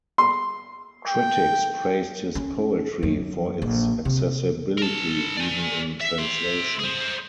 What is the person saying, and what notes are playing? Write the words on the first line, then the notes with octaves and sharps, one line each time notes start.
Critics praised his poetry for its accessibility, even in translation.
C6
G5
C#4
F#2
A#1
C3
A#4 A5
D5 G#5
E5
E5 C6
G#4 C5